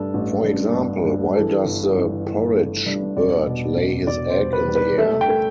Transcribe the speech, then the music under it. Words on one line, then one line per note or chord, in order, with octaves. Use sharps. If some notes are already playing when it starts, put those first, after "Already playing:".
For example, Why does the Porridge Bird lay his egg in the air?
Already playing: G2 A3 A4
A1
G2
G2
G2
E3 A4
G1
E3
E3
A3
G2
E1 D5
B2
E1
E1 D5
C5
G3
B4
G3
B4
A3 E5
G5
A3